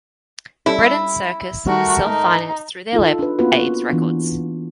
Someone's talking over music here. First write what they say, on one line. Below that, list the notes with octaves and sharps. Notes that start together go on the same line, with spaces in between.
"Bread and Circus" was self-financed through their label, Abe's Records.
G3 C#4 E4 A4
D#3 G3 A3 F#4 A#4
G#2 D#4
D#4 F4 A4
D4 B4
A#3 B3 C#4 F4 F#4 B4
E3 B3 D4